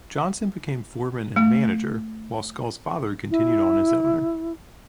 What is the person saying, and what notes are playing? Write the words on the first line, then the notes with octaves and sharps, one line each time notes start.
Johnson became foreman and manager, while Scull's father continued on as owner.
A3
E4